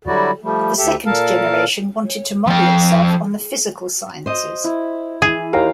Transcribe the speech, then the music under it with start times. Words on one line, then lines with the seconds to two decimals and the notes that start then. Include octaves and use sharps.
The second generation wanted to model itself on the physical sciences.
0.07 D3 F#3 G3 E4 F#4 D5
0.43 F3 G3 A3
0.78 D2 G4 A4 E5
1.06 A#2 A4 A#4 F5 A5
2.47 F3 G5
4.26 C5 D#5
4.64 E4
5.22 E3 G#4
5.53 D#2 F5 G5 A#5